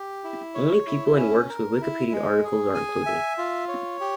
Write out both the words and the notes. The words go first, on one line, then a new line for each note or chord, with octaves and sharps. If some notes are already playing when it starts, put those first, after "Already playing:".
Only people and works with Wikipedia articles are included.
Already playing: G4
E4
C#5
E4
C#4
A#4
E4
G#3
G#4
G#5
E5
F4
C#5
G4